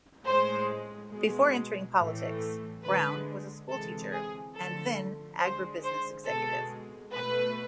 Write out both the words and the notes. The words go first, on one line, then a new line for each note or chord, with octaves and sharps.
Before entering politics, Brown was a schoolteacher and then agribusiness executive.
A2 G#3 C5
B2 G#3
A2 E3 A3
D3 G#3 B4
C3 E3 G#3 A4
G#4
D3 F3 A3 A4
D3 G#3 C5
C5
B2 G#3 A4
B2 A3 B4